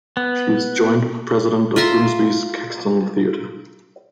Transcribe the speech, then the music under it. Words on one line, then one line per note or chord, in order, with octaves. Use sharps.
She is joint President of Grimsby's Caxton Theatre.
B3
F4 E5 A#5 C6